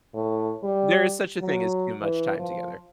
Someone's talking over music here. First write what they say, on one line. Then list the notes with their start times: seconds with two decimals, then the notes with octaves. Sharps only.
There is such a thing as too much time together.
0.14 A2
0.63 G3
1.41 F#3
2.01 E3
2.39 F3